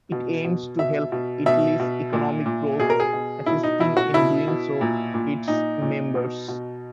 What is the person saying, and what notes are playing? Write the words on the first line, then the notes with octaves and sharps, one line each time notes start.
It aims to help Italy's economic growth, assisting, in doing so, its members.
B2
B2
B2 E5
B2
B2 E5
B2
A#2
A#2
B2 G#4
A#4
G#4
B2
B2 E4
D#4
B2 E4
F#4
B2 E4
B2
A#2
A#2
A#2 D#4
A#2
B2
B2